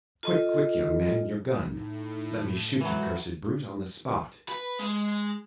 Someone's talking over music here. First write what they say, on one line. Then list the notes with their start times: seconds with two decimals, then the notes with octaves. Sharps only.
"Quick, quick! young man--your gun; let me shoot the cursed brute on the spot."
0.23 F4 A4 D#5
1.61 A2 D#4
2.81 E3 F#3 G#3 F#4
4.49 B4
4.79 G#3